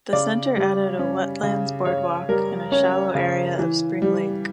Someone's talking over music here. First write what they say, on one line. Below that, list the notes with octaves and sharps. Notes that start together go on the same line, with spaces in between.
The center added a Wetlands Boardwalk in a shallow area of Spring Lake.
C#3 D5
G3
C#4
C#3
C#3 C#5
G3 A#4
C#4 C#5
C#3
E3
G3